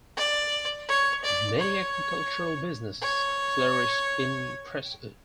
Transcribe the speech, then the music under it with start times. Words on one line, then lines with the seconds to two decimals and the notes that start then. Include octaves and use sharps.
Many agricultural businesses flourished in Prestwood.
0.17 D5
0.88 C#5
1.24 D5
1.60 C#5
3.02 C#5